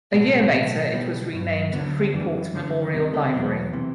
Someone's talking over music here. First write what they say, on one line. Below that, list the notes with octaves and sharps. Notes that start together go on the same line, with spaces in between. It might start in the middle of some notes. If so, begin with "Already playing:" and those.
A year later it was renamed Freeport Memorial Library.
B1 A2 F#3 B3
A3
A3 C4
B1 A2 F#3 B3
B1 B2 G3 B3
G2 F#3
D2 D3 F#3 B3
B3
A3 C4
F#2 E3 G3 B3 D4
F#2 D3 F#3
D2 C3 G3 B3
A3
E2 B2 F#3 B3
C3 E3